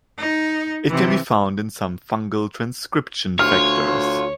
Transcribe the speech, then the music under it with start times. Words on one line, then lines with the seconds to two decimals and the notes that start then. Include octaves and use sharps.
It can be found in some fungal transcription factors.
0.18 D#4
0.88 C3 E3
3.39 D2 F4 C#5 F6